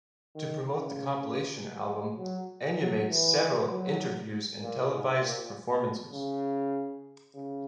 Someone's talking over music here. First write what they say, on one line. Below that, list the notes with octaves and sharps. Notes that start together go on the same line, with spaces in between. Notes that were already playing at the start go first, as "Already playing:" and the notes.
To promote the compilation album, Enya made several interviews and televised performances.
D#3
C#3
G#3
F#3
F#3
E3
F#3
A#2
G#2
A#2
C#3
C#3